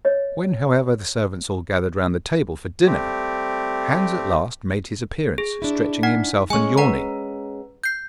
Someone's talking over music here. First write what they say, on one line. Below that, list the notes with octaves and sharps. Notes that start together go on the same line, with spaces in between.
When, however, the servants all gathered round the table for dinner, Hans at last made his appearance stretching himself and yawning.
C#5 D#5
G3 A3 C4 G4
G#4
D4 E4
D#4 F#5
G#3 C#4 G#5 C#6
B4 F#5 A#5
G6 C7